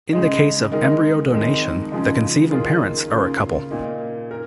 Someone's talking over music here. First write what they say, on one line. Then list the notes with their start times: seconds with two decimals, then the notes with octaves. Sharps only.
In the case of embryo donation, the conceiving parents are a couple.
0.13 C#3 G#3 D#4
0.72 D#3 G#3 D#4 A#4
1.32 F2 D#3 G#3
1.92 C#3 F3 G#3
2.51 D#3 A#3 F4 G#4
3.12 C#3 A#3 F4
3.71 A#2 A#3 D#4
4.31 A#4